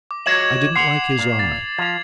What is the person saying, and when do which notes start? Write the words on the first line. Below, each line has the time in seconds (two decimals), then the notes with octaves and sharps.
I didn't like his eye.
0.11 D6
0.26 F#4 C#5 D#5 G#6 E7 F#7
0.76 F#5 C6 C7 F7 F#7
1.19 A#2
1.39 A6
1.78 F3 G#6 F7